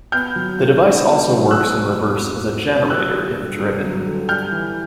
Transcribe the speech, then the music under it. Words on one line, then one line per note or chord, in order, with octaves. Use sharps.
The device also works in reverse as a generator if driven.
B3 F6 G6
F#3
D3
D#4
B3
F#3
G#3 E6 F#6
B2
E2
C4
G#3
B2
F#3 E6 F#6
D3
G2
G2
F#3
D3
G3 F6 G6
E3